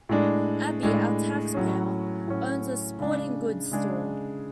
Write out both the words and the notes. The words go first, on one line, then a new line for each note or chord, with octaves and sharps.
Abby, our taxpayer, owns a sporting goods store.
A2 G#3 D4
A2 G#3 D4
A2 F#3 C#4
A2 F#3 C#4
C#3 G#3 D4
C#3 G#3 D4